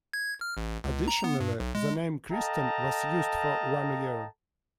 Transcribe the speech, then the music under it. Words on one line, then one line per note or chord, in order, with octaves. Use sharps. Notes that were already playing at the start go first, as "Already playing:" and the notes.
Additionally, the name Kristen was used for one year.
G#6
F6
A1
C#2
A#5
B3
G2
B1
G#3
A4 D#5 F5 G5 A5 A#5